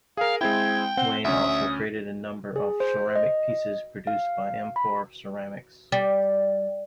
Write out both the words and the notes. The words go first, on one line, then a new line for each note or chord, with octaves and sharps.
Wain also created a number of ceramic pieces produced by Amphora Ceramics.
G#4 A#4 F5
G#3 C4 E4 G5 G#6
C4 C5 F#5 G7
D2 C#4 E5 D#6
G#4
C5
D#5
F5
B5
G3